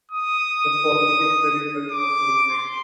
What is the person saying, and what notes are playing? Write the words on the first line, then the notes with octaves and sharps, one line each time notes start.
The following is the results from the event.
D#6
D6
C6